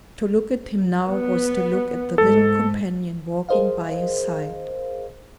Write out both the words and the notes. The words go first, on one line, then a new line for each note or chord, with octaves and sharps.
To look at him now was to look at the little companion walking by his side.
B3
G#2 A4
G#4 A#4 C5 D#5 F5